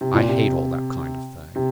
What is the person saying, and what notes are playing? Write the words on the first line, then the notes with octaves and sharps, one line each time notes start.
I hate all that kind of thing.
C3
A#2
C3
C3